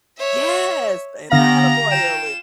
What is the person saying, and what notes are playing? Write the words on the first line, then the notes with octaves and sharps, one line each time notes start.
Yes! And Olive Oyl and
C#5 E5
D3 B3 G4 F5 A#5 A#6
F4 G5 E7